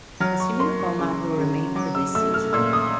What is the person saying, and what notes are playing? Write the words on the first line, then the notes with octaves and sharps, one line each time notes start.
A similar format will remain for this season.
F#3 F6
C#6
A#3 C6
C#6
C#3 D6
C#3
F#3 D6
E6
A3 E6
F6
A#2 E6
D#6